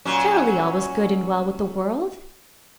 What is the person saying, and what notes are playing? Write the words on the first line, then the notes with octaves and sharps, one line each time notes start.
Surely all was good and well with the world!
A#2 F#3 C#4